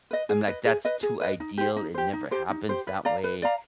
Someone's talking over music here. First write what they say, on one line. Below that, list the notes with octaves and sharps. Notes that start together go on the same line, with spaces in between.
I'm like, that's too ideal, it never happens that way,
B4 D#5
G#4
B4 D#5
G#4
B4 D#5
G#4
B4 D#5
D#4
G4 C5
D#4
G4 C5
D#4
G4 C5
D#4
G4 C5
B4
D5 F5 A#5
B4
D5 F5 A#5